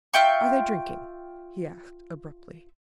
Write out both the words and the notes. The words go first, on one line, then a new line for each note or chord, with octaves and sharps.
"Are they drinking?" he asked abruptly.
F4 E5 G5 C#6